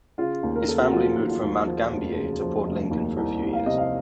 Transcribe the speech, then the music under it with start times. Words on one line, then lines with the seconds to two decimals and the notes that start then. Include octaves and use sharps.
His family moved from Mount Gambier to Port Lincoln for a few years.
0.18 C#3 F4
0.43 D#2
0.56 A#4
0.67 C#3 A4
0.80 F#4
0.92 F3 F4
1.17 D#2
1.30 F4
1.42 D#2
1.67 F3
1.92 F1
2.17 C#3
2.42 F3
2.66 F1
2.91 D#2
3.17 C2
3.41 C2
3.53 F5
3.66 C3 D#5
3.78 F5